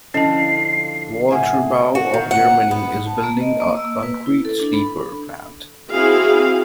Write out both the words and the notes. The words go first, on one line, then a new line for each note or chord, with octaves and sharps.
Walterbau of Germany is building a concrete sleeper plant.
D3 F3 C#4 E4 D#5 A5 C7
A2 C#3 E5 F#5 G#5
F#4
D#3
F#5
B3
A5
A#3
D#5
A#3
E6
B4
E4
A4
D4
B5
C4 E4 F#4 G#4 F5